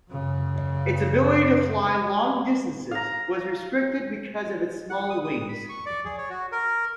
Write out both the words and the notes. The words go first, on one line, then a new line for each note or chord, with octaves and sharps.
Its ability to fly long distances was restricted because of its small wings.
F#2 C#3
F5 A#5
F#5
D#6
D#6
B5
C#6
D5
G#4
C#5
F#4
A#4